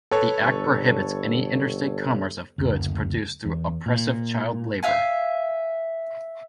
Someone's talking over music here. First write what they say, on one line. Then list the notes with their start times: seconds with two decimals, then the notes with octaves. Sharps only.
The act prohibits any interstate commerce of goods produced through oppressive child labor.
0.11 A4 B4 C#5
0.41 G1
2.58 F#1 D2
3.45 E2
3.86 A#2
4.83 E5 F5 G#5